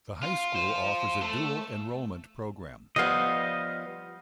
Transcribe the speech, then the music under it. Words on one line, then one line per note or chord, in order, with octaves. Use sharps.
The high school offers a Dual Enrollment program.
F4
F4 C5
A3
F3 G3 B3 D#5 F5